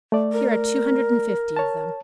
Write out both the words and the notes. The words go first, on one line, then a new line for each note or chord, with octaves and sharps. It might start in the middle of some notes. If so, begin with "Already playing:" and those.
"Here are two hundred and fifty of them."
A3 D5
A#4
C#5 A5